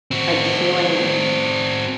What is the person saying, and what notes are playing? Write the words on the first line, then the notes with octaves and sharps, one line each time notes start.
like healing
C4 F#4